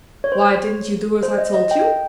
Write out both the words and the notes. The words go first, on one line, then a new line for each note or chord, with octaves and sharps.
"Why didn't you do as I told you?"
C#5
C5
C#5
C5
D#5
D#5
G5